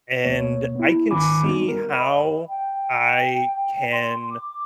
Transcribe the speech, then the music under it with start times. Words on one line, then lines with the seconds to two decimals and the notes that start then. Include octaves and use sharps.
and I can see how I can
0.24 D2 B2 A#3 C#5
0.75 B3 E4
1.11 G#2 D#3 C#4 G#5 B5 D6
1.43 G3 B3 D#4 F#4
1.68 A#4
1.94 D#5 B5
2.49 G5
3.92 C6
4.30 D6